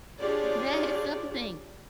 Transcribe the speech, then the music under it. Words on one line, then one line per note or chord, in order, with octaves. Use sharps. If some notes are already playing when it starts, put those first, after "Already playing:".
that is something.
D4 F4 G4 G#4 C#5 D5